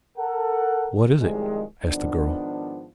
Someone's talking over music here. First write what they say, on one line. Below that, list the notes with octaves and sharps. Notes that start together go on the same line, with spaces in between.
"What is it?" asked the girl.
A4 A#4 F#5
A2 C3 D#3 F3 G3 G#3
G#2 D#3 F3 B3 D4